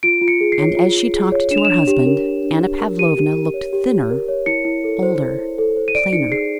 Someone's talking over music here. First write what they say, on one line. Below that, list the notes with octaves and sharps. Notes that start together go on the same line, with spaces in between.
And as she talked to her husband Anna Pavlovna looked thinner, older, plainer.
F4 D7
F4
C#7
G#4
C7
C#5
F4
F4
G#4
C#5
D4 E7
F7
E7
D4
G4
A#4
D4
D4
G4
A#4
G4 D#7
G4
A#4
C#5
G4
G4
A#4
C#5
E4 C#7
E4
A4
C5
E4
E4
A4
C5
D#7
D5 D7
D#4 C#7
G#4 C7